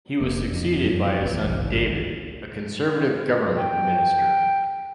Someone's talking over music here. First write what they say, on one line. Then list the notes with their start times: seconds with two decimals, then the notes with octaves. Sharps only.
He was succeeded by his son David, a Conservative government minister.
0.20 F1 A#3
0.53 F2
0.83 F#2
1.20 A#1 E2
1.44 G#1 C#2 G2
3.57 G5